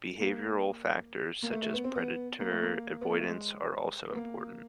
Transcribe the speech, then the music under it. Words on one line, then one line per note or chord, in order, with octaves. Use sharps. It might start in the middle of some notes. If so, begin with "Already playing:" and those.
Behavioural factors, such as predator avoidance are also important.
A#3
A#3
A3
A3
B3
C4
B3
A#3
A3
A#3
B3
A#3
A3
G#3
B3
A#3